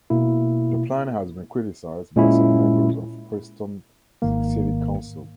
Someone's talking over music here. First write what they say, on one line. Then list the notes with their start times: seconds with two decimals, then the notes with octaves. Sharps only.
The plan has been criticised by some members of Preston City Council.
0.10 B2 A#3 E4
2.16 A#2 G#3 C#4 E4
4.22 G#1 G#2 D#3 A#3